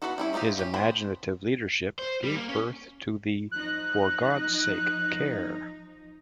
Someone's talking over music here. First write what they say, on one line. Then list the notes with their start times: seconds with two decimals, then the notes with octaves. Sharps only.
His imaginative leadership gave birth to the 'For God's Sake Care!
0.02 B3 F#4 A4 B4 F#5
0.18 G3 C#4 E4
0.33 F3 G3 D#4 F4 G4
0.58 C#4 G4
0.74 B3 C5 A5 B5
1.99 C5
2.24 G3
2.36 A#3
2.49 C#4
3.51 F3 D#4 F#6